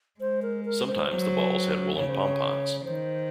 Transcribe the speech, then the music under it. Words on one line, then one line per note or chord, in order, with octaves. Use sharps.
Sometimes the balls had woolen pompons.
G#3 C5
A#4
A#4
C5
F#3
C#3 C#5
C5
C#5
C#5
D#3 C5